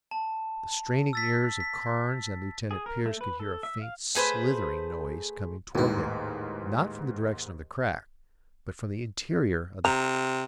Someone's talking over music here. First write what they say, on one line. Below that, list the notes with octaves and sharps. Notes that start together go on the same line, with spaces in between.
The straining ears of Carnes and Lieutenant Pearce could hear a faint slithering noise coming toward them, not from the direction of the crack, but from the interior of the cave.
A5
E6 A6 B6
B6
G#4
A#4
A3
B4
A4
E5
F5
A3 G#4 B4 C5
A1 D#2 G#2 E4
C3 A#5